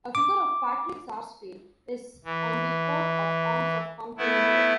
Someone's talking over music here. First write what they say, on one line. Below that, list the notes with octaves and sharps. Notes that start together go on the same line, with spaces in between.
A figure of Patrick Sarsfield is on the coat of arms of County Limerick.
D6
E3
A3 B3 E4